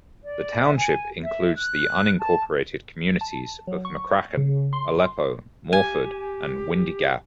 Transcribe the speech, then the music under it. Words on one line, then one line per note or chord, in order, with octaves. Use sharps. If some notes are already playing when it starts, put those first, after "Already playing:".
The township includes the unincorporated communities of McCracken, Aleppo, Morford, and Windy Gap.
D5
E5
G#5
E5
F#6
A5
A5
F#3
C#6
C#3
C6
G4 G#5